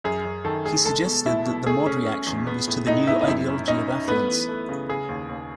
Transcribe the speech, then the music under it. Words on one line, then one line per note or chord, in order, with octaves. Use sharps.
He suggested that the Mod reaction was to the new ideology of affluence.
F#2 G#4
F#2
D#3 A4
A3 G#4
G#3 A4
B2
B2 E4 E5
B2
A3 G#4
C#4
C#4
E2
B3
A2
A2 D#4 D#5
B3 E4 E5
D#5
F#2 E4 E5
C#4
C#4 D#4 D#5
C#4
A3 B3 B4
E3
A3
C#3
C#3 G#4
D#2
D#2